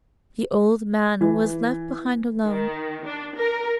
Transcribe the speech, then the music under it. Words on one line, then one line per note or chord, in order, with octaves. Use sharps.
The old man was left behind alone.
E3
D#3
D4
A#4